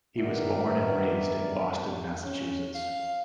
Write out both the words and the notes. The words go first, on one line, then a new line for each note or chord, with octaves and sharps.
He was born and raised in Boston, Massachusetts.
G2 D#3 B3 A#4 D5 E5
C#4
F5